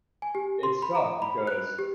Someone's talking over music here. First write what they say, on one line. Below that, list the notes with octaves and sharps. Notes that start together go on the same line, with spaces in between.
it's tough because,
G#5
G4
C6
B5
A#5
B5
F#6
G4